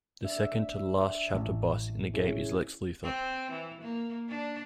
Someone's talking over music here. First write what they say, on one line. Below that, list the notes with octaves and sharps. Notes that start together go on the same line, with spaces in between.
The second to the last chapter boss in the game is Lex Luthor.
D4 E5
A1
C#4 E4 G#4
C4
E3
A#3
D4